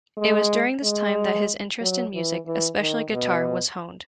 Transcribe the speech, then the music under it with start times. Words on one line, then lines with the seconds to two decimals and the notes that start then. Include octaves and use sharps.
It was during this time that his interest in music, especially guitar, was honed.
0.18 G#3
0.83 G#3
1.81 F#3
2.15 E3
2.47 E3
2.80 D#3
3.12 B2